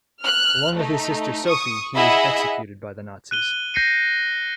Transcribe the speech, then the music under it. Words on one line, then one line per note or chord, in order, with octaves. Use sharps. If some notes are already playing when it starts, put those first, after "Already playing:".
Along with his sister Sophie, he was executed by the Nazis.
F6 F#6
A3 D#4
C#6 D#6
E4 G#4 D#5 E5 F#5 B5
F#6 D#7 G7
G6 A#6 C7 C#7 D#7